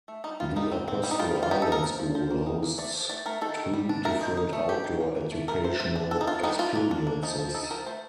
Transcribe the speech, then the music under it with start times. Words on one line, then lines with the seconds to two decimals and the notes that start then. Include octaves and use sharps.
The Apostle Island School hosts two different outdoor-educational experiences.
0.08 A3
0.24 G3 D#4
0.40 G3 F4
0.56 G3 D#4
0.71 C4
0.88 C4
1.03 G3
1.11 D#4
1.19 G3 F4
1.35 G3
1.43 F4
1.51 D#4 G4
1.62 A4
1.67 D#4 A#4
1.83 F3
1.99 F3
2.15 F3 C5
2.30 A#3
2.46 D#4
2.62 A#3
2.78 A3 D5
2.94 F3
3.09 A3 D5
3.26 A3 A#4
3.41 D#3 A4
3.57 D#3
3.73 G3
3.89 D4
4.05 A3 A#4
4.21 D#4
4.37 D#4
4.53 A3
4.69 D#3 G4
4.84 D#3
5.00 A#3
5.16 A#3
5.32 A3
5.48 A3 A#4
5.63 A3 C5
5.80 A3 C5
5.96 D4
6.11 D4 A4
6.21 D#4
6.27 D4 F4
6.43 G3 D#4
6.59 D4 F4
6.75 A#3
6.91 D4
7.07 A#3
7.23 F3 D#4
7.39 F3
7.54 D#4 A4
7.70 F3 A#4
7.86 A3 C5